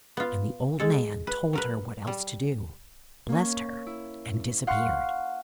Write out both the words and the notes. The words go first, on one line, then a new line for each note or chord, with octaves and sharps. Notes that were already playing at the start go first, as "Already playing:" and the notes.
And the old man told her what else to do, blessed her, and disappeared.
B3 F4
G#3 A4
B4
F#3 A#4 B4
G3
A#3 C#4
E4
F5 F#5 C6 C#6 F6